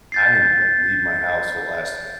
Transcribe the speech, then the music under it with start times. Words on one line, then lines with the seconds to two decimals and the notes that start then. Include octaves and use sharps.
I didn't even, like, leave my house for the last.
0.12 G6 A6 C7